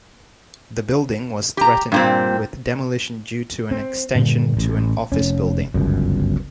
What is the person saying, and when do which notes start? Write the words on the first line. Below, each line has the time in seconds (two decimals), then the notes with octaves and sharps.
The building was threatened with demolition due to an extension to an office building.
1.57 G4 A#5
1.92 G2 A#2 C4
3.71 C4
4.15 G2 A#2 D3
4.57 A1
5.12 F1 C#4
5.74 G1 C#2 F#2